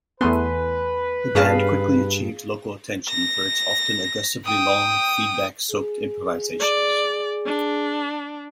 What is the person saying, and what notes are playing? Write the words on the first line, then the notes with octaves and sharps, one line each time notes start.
The band quickly achieved local attention for its often aggressively long, feedback-soaked improvisations.
E2 A3 B3 B4 G#5 C6 F#6
G2 C#4 G#4 F5 A5 F6 A#6
A#6
G5 D#6
G#4
D5
D4